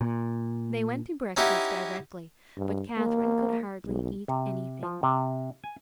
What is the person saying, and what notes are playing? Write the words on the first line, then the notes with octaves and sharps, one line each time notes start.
They went to breakfast directly; but Catherine could hardly eat anything.
A#2
C#4 D#4 E4 G4 F#5
G2
A#3
B1
C3
F3
C3
G#5